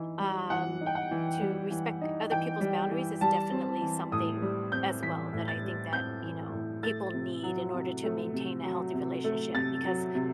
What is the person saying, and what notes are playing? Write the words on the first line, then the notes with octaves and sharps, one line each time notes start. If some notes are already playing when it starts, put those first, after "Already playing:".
um, to respect other people's boundaries is definitely something, as well, that I think that, you know, people need in order to maintain a healthy relationship, because,
Already playing: E3 D#4
G3
E3 F#5
D#4
G5
F#5
E3
G3
E3
D#4
E3 G5
G3
E3
G3 A5
C4
E3
A2 D#6
G3
C4 G6
E3 B6
A2
A6
G3
C4 G6
E3
A2
A3 A6
C3
F#3
C3
A3
C3
F#3
C3
A3
C3 A6
F#3
C3